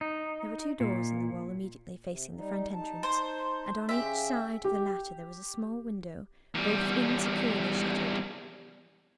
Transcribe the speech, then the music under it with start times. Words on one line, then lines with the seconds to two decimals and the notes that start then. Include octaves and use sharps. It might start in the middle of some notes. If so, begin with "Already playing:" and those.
There were two doors in the wall immediately facing the front entrance, and on each side of the latter there was a small window, both insecurely shuttered.
0.01 D#4
0.80 A#2
2.05 C3
2.35 G3 D#4
2.74 D#4 A5
3.03 C5
3.89 C#3 C#4 G4 E5
4.64 G4
6.54 E2 G3